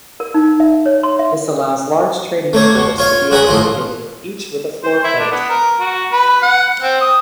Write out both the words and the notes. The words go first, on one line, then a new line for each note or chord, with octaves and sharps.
This allows large trading floors to be accommodated, each with a floorplate.
A#4
D#4
E5
C#5
C6
E5
A3 A#3 C#5
B2
F4 C#5 F5
F#4 G#4 A#4 B4
A2 E3 F4
C5
E4
D4
B3
A#4
F#4
B4
F#5
C4
D#6